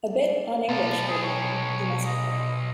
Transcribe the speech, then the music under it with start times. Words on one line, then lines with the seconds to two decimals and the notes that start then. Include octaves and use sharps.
A bit un-English, old man, you must admit.
0.69 B1 A5
1.08 G#4
1.23 C#5
2.06 D#5